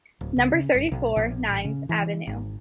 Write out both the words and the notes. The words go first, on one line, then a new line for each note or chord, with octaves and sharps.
Number thirty-four, Nîmes avenue.
D1
C#2
C#3
G1
B1
A#1
A1
C#3
E3
G#1